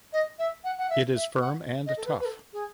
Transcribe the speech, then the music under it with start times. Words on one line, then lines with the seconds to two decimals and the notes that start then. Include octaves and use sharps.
It is firm and tough.
0.12 D#5
0.39 E5
0.64 F#5
0.78 F#5
0.89 E5
1.15 E5
1.41 F#5
1.86 D#5
1.97 A4
2.05 B4
2.19 B4
2.25 A4
2.53 G#4